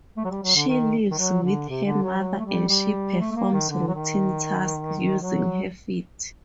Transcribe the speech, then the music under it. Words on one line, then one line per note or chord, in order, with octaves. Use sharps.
She lives with her mother and she performs routine tasks using her feet.
A3
F#3
G3
F#3
D3
D#3
D#3
F#3
D3
C3
D3
F#3
F#3
A3
G3
G3
A3
A3
A#3
D#3
D3
F#3
D#3
F#3